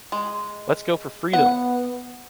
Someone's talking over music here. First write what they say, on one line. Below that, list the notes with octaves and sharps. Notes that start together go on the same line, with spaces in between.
Let’s go for Freedom!
G#3
B3 F#5